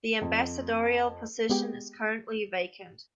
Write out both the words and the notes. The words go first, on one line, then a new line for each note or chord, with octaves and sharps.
The ambassadorial position is currently vacant.
F2
G#3 B3 G4 G#4 G5